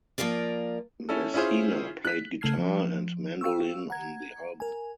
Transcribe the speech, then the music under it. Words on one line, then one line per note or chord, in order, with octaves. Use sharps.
Messina played guitar and mandolin on the album.
F3 A#3 F4 A#4 D5
C#4 E4 A4
C#4 E4 F4 G#4 C5
F#6 B6
C#3 A3 A5 F6 G#6 C7
F3
F5 G5 C#6 E6
F#5 A#5 G#6
A#4 G#5